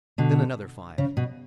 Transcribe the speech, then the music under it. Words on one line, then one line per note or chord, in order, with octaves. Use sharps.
Then another five.
B2 D3
C#3
B2